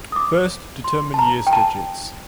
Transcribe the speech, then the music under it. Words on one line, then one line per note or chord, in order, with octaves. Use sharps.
First, determine years' digits.
D#6
D6
C6
A5
A#5
G5
A5